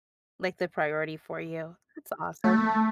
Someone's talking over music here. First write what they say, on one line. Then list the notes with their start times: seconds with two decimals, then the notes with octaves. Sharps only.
Like the priority for you. That's awesome.
2.44 A3